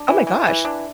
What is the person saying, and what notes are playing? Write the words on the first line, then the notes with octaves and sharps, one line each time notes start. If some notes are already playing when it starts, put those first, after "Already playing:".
Oh my gosh!
Already playing: D4
E3
E3
E3
D4